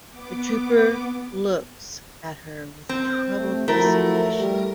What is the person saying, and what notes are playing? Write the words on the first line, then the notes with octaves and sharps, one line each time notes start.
The trooper looks at her with a troubled visage.
B3 D6
C4
C3 A3
F3 F#3 A3 E4 A#4
G3